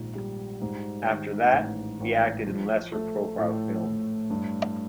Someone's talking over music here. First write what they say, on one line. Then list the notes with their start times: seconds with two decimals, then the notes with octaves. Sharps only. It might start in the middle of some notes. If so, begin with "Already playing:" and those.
After that, he acted in lesser profile films.
Already playing: A#1 G#2 D#3
0.15 G3
0.62 G#2
1.07 D#3
1.53 A1
2.00 A1
2.46 F3
2.92 A3
3.39 A2
3.84 A2
4.30 G2